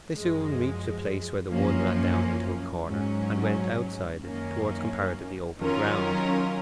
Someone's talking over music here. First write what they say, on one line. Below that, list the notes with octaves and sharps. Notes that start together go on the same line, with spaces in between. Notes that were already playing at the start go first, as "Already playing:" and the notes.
They soon reached a place where the wood ran down into a corner, and went outside it towards comparatively open ground.
F#2 F3 G#3
F#2 F3 A#3 C#4
G#2 F#3 C#4
F#2 D#3 A#3 C#4
D#3 F#3 C#4 F4 A#4